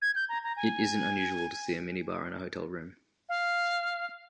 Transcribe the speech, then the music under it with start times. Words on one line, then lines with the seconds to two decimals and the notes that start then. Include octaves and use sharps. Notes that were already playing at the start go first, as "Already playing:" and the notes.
It isn't unusual to see a minibar in a hotel room.
0.02 G#6
0.15 G6
0.29 A#5
0.43 A#5
0.57 G#5
3.29 F5